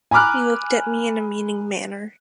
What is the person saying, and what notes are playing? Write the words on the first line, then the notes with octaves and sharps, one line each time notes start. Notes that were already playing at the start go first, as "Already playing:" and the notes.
He looked at me in a meaning manner.
G#5 A#5 B5 D6 F6 F#6